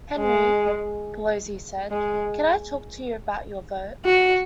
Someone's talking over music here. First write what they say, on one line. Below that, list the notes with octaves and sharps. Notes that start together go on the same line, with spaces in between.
'Henry,' Pelosi said, 'can I talk to you about your vote?
G#3
G#3
F#4